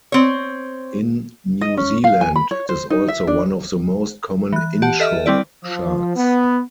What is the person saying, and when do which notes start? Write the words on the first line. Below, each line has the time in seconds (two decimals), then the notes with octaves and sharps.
In New Zealand, it is also one of the most common inshore sharks.
0.12 C4 C#5
1.61 D#5
1.77 C#4
2.04 F5
2.21 G#5
2.36 B5
2.51 C#5
2.69 C5
2.90 D#4
3.08 E5
3.27 D4
4.53 E3 F#6
4.82 G4 F#5 A5
5.00 A4 D#5 E5 F6
5.26 G3 C4 E4 D5
5.64 F3
6.16 B3